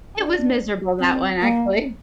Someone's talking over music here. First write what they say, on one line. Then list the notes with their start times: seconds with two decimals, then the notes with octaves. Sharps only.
It was miserable that one, actually.
0.18 D4
1.00 C4
1.41 A#3